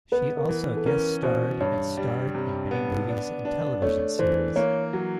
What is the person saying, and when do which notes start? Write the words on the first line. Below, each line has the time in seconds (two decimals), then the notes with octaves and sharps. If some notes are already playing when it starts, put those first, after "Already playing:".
She also guest starred and starred in many movies and television series.
0.12 B3 B4
0.37 A#4
0.49 E3
0.76 A4
0.86 C#4 A#4
1.23 B2 C5
1.60 G2 C#5
1.97 G3
2.35 C3
2.71 B3
3.08 D4
3.45 D4
3.82 A3 C#5
4.19 E3 C5
4.56 A#3 C#5
4.93 F#3